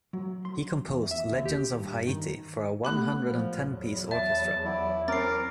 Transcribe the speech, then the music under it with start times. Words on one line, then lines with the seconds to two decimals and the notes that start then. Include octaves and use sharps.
He composed "Legends of Haiti" for a one hundred and ten piece orchestra.
0.13 F#3
0.45 C6
0.86 E2
1.11 E5
1.31 D#2
1.46 G4
1.80 G2
2.07 D#3
2.85 A3 B3 G4 B5 F#6
3.25 A#2 F3
3.64 E2 F#3
4.11 E5 A5
4.65 E4 C#5 D5 F#5
5.08 C4 C#4 A#4 C5 D6 A6 C7